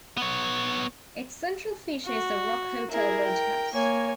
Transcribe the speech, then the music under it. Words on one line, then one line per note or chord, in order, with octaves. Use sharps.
Its central feature is the Rock Hotel roadhouse.
B3 C#5
F#4
E4 G#4 A#4
G5
A#3 C#5 G#5